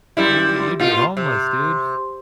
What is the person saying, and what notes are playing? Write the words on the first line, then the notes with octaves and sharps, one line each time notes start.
You'd be you'd be homeless, dude.
F#2 G3 E4
A#2 F4
C3